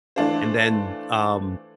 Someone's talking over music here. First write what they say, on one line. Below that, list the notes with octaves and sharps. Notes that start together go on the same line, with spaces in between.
and then, um,
E3 A3 D4 F4 C5